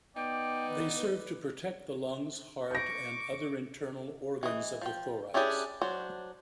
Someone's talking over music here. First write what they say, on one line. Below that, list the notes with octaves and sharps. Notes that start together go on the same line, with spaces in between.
They serve to protect the lungs, heart, and other internal organs of the thorax.
B3 D#4 D5 G5
B4
C#6 D6 G6 A#6
E3 D#5
F3 G5
C#4 D4 E4 G4 G#4
F#3 D4 C5